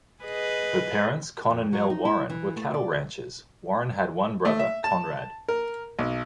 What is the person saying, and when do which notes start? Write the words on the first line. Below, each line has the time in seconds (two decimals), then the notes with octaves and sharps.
Her parents, Con and Nell Warren, were cattle ranchers; Warren had one brother, Conrad.
0.23 G#4 B4 D#5
1.50 F2
1.73 F#3
1.90 D#4
2.05 E4
2.30 E3
2.56 A3
2.74 D5
4.45 A3
4.59 E5
4.84 A5
5.48 A#4
5.99 B1